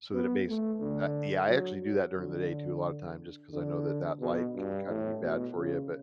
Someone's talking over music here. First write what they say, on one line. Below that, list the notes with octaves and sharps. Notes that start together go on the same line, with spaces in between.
so that it makes uh, yeah, I actually do that during the day to a lotta time just 'cause I know that that light can, kinda be bad for you, but
B3
A3
D3
F#3
F#3
D3
D3
B2
G2
A2
B2
C#3